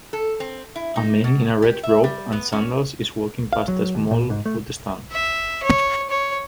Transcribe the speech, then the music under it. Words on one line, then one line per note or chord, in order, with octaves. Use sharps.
A man in a red robe and sandals is walking past a small food stand.
A4
C4
E4
D#4
B2
G4
E5
G3
B3
C#4
F5
F#3
D#2
A#2
G#2
A3
E5
C#5
C#5